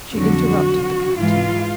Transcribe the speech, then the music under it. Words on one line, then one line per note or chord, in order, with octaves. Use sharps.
She interrupted the Captain.
F2 D3 F#3 F#4
G#2 E3 G#3 F4